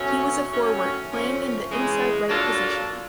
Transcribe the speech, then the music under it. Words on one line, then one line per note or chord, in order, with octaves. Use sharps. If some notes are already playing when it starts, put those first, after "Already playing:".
He was a forward, playing in the inside right position.
Already playing: B2 F#3 A3 C#4
D#3 F#3 A3 C#4
F3 A3 C#4
C#3 E3 G#3
F#3 A#3 D4 F4 A4